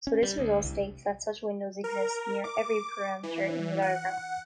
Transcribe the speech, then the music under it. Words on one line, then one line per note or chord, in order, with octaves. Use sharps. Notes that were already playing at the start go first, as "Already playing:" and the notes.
So this result states that such windows exist near every parameter in the diagram.
C#4
G3
D2
C2
A#4
D6
E3
F#5